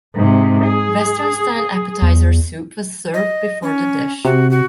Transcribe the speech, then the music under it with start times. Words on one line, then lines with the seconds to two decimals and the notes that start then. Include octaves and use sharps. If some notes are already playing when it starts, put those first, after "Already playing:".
Western-style appetizer soup was served before the dish.
0.15 G#2 C3
0.65 G#4
2.02 E2
3.14 D#5
3.62 C#4
4.25 C3 F#4
4.51 F#4